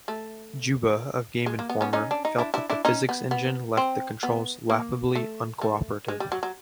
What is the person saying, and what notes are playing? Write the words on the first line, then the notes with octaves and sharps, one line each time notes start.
Juba of "Game Informer" felt that the physics engine left the controls "laughably uncooperative".
A3
G#3
A#3
B3
B3 C#4
C#4 D#4
D4
D#4
D4 E4
D4 E4
D4 E4
C#4 D#4
B3
B3
C4
B3
A#3
A3
A3
G#3
G3
F#3
F#3